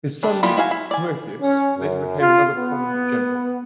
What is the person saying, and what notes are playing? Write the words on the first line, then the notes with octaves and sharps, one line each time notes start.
His son Timotheus later became another prominent general.
G3 D4
E3 G3 A#3 B3 F4
E4 F#4 F5 G#5
E4
D5 G#5
C#4
F#2
F4
B3